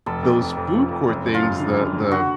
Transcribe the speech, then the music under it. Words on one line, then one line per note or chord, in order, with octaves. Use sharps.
those food court things, the the
F1 A4
F2
F2
F2
F3
F2
F#1
F#2
F4
F#2
D3
F#2
F#1
D3 F#4